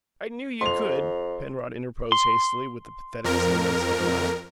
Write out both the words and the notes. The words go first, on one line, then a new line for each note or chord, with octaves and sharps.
"I knew you could," Penrod interposed hastily, with the pathetic semblance of a laugh.
F2 C6 F7
C6
F2 A#4